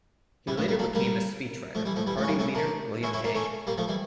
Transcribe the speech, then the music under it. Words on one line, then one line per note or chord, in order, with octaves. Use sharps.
He later became a speechwriter for party leader William Hague.
E3 G3
F3 A3
G3 A#3
A#3 D4
G3 A#3
F3 A3
E3 G3
F3 A3
E3 G3
F3 A3
C#4
G3 A#3
A3 C#4
A#3 D4
C#4 E4
C#4 E4
A#3 D4
A3 C#4
G3 A#3
F3 A3
E3 G3